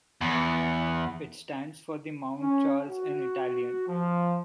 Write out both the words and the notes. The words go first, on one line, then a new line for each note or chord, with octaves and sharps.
It stands for the "Mount Charles" in Italian.
E2
C#4
F#4
F3